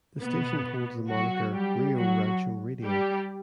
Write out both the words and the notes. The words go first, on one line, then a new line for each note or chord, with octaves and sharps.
The station holds the moniker "Rio Rancho Radio".
B2 B3
F#3 F#4
G3 G4
F#3 F#4
G3 G4